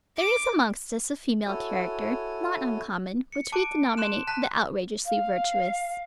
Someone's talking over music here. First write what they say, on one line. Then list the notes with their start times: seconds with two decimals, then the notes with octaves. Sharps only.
There is amongst us a female character, not uncommon, which we denominate the outrageously virtuous.
0.17 D6
1.46 E4 F#4 A4 C#5 G#5
3.32 C#7
3.52 A5 D6 F#6 D7
3.97 C6 F#6 E7
4.27 A5 F#6 B6
5.05 F5